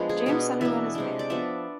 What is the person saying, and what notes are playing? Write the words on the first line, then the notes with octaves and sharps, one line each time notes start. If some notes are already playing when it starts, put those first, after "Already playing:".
James Sunderland is married.
Already playing: F3 G#3 B3 D4 B4 D5
G#4
B2 B3 D4 B4
E3 B3 D4 E5
C3 G#3 D4
D5
F3 B3 D4 E5